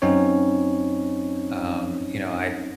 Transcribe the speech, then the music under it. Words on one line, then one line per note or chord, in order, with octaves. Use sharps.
um, you know, I
F#2 C4 C#4 D#4 C#5